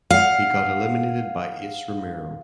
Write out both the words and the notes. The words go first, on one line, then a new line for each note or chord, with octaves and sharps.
He got eliminated by Ace Romero.
F5 F#5